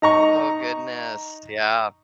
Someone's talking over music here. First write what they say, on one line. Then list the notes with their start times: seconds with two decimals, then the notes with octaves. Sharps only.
Oh, goodness, yeah.
0.02 D#4 A#5 C#6